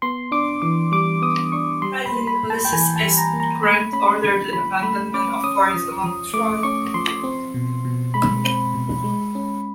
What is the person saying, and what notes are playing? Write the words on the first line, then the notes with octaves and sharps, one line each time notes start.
President Ulysses S. Grant ordered the abandonment of forts along the trail.
B3 C6
D4 D6
E3 D6
G3 D6
B3 D#6
D4 C#6
G3 C6
B5
A#3
B5
A2
A5
G5
E3 G#5
A5
G3
A#5
A#3
A#5
A3 B5
C#4 B5
D3 B5
F3 B5
A3 B5
C#4 D6
C#4 D#6
F3
F3
A3 D6
C#4 C#6
F3 C6
C4
B2
B2
G#3 B5
C4
B2
G#3
C#4